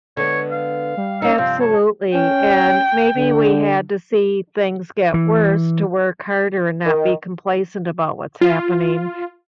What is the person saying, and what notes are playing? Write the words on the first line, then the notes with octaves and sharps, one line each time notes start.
Absolutely, and maybe we had to see things get worse to work harder and not be complacent about what's happening
D3 G#3 B3 C#5
F5
G3
C#4 D#4 A4
G2 C3 F3 C4 F5
C#5 A5
C#4 G5
D3
E3
D#3
F4